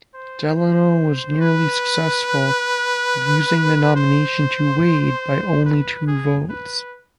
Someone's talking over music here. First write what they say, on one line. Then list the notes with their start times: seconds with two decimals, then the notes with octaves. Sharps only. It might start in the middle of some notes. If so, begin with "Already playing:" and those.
Delano was nearly successful, losing the nomination to Wade by only two votes.
0.14 C5
0.57 C5
1.41 B4
3.96 C5
5.66 B4
6.08 G#4
6.50 B4